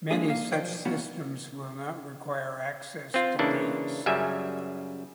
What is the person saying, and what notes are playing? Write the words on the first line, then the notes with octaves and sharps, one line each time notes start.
Many such systems will not require access to dates.
G#3 A#3 D4 G#4
A#3 F5
B1 F3 D5 G5
E3 A#3 B3 C#4 F#4
C4 F4
C#3 E3 A#3 D4
F#2 C#3 G3 E5 G#5